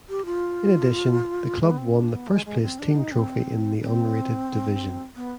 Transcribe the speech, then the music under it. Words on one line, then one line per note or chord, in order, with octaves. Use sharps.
In addition, the club won the first place team trophy in the unrated division.
G4
F4
G#3
B3
C4
D4
B3
G#3
G#3
C4
D4
D#4
C4
D4
C4
B3